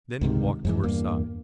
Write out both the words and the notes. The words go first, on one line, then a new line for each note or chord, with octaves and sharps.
Then he walked to her side.
C#2 G#2 C3 D#3
F2 G#2 E3
E2 G2 A#3